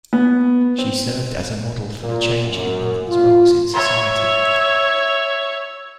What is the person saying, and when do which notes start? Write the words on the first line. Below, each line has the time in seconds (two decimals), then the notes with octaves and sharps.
She served as a model for the change in women's roles in society.
0.13 B3
0.78 C4
2.03 A#2
2.45 F#2
3.09 F4
3.74 C#5 E5